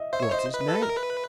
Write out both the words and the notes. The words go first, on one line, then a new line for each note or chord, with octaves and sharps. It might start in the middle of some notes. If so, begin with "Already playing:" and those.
"What's his name!"
Already playing: D#5 E5
C5 E5
C#5
C5 D#5
B4
A4
A#4
B4